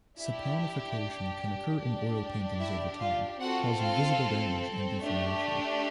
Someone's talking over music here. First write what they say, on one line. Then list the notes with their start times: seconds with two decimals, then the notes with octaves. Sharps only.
Saponification can occur in oil paintings over time, causing visible damage and deformation.
0.18 D4 E4 G4 E5
1.79 D4 G4
2.59 E4 E5
3.00 F4 F5
3.40 C4 F4 F#4 A4 F#5
3.80 F4 F5
5.01 A3 D4 G4